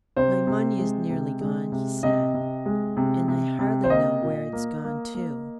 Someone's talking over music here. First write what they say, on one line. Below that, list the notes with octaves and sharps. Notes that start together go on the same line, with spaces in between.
"My money is nearly gone," he said, "and I hardly know where it's gone to."
C3 C5
C3
G#3
C3
G#3
C3
C3 D#5
C3
G#3
C3
C3
C3
C5
A#3 D#5
A#2
A#3
A#3
A#3